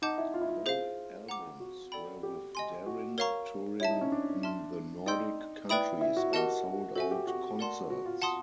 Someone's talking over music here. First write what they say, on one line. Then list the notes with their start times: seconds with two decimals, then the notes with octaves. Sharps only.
Both albums were with Darin touring in the Nordic countries, on sold out concerts.
0.02 D#4 F#5 A5 D6 G6
0.18 E4
0.34 F4
0.41 E4
0.49 F4
0.66 G#4 C5 F5
1.29 F#5 A#5 D6
1.60 F#4
1.92 A4 D5 G5 B5
2.23 G4
2.55 D#5 G#5 C6
2.86 F#4
3.18 A#4 C#5 F5 A#5 C#6
3.80 E4 C#5 E5 A5
3.91 D#4
4.01 C#4
4.12 D4
4.43 E5 A5 C6 F6
5.06 D#4 D5 G5 C6 E6 G6
5.69 E4 B4 D5 G5 B5 D#6
6.01 E4
6.17 F#4
6.33 F#4 G4 A#4 D#5 F#5 A5
6.96 F#4 A4 C5 E5 G#5
7.11 G4
7.27 F#4
7.59 A#4 D5 F#5 A5 C6
7.90 F#4
8.06 F4
8.22 F#5 A5 C6 D#6